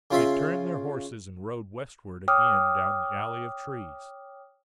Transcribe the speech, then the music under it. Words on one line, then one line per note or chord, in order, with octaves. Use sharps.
They turned their horses and rode westward again down the alley of trees.
C#3 F4 E5 C6
C#5 G5 D6 D#6 F6